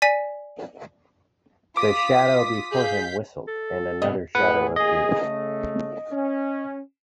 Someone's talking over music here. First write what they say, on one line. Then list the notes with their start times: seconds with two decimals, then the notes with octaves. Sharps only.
The shadow before him whistled and another shadow appeared.
0.02 D5 G#5 B6 D#7
1.77 F4 D6 D#6 B6
2.72 G#4 F5 G6 B6
3.47 A4
4.02 G#2 C3 B3 D#5
4.35 A2 G#4 B4 F#5
4.76 A1 A#3 G#4 D#5
5.22 C#3 A3
6.12 C#4